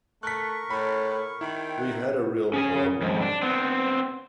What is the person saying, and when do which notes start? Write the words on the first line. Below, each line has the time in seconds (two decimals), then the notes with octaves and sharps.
We had a real problem.
0.23 A3 A#4 C#6 F#6 B6
0.70 A2 B5
1.41 D#3 E4
1.59 G5
1.77 F#5
2.54 C#4 G#4 G#5
3.02 F2 G#2
3.22 D4
3.42 B3 C4